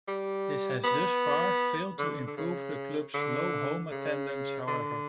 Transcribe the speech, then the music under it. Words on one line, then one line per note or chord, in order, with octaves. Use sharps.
This has thus far failed to improve the club's low home attendance, however.
G3
B3
D3
D3
C#3
D3
C#3
D3